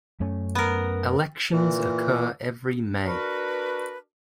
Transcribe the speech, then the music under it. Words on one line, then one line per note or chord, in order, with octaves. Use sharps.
Elections occur every May.
F#2 A3 C#4
B3 A#4
A#2 E3
D4 F#4 A#4 B4